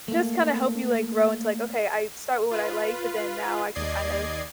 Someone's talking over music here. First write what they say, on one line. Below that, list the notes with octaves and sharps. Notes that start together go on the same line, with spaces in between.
just kinda help you, like, grow into, like, "Okay. I start with what I like, but then now I can kinda,
A3 A#3
F4 B4
D#2 D5 D#5 G#6 C7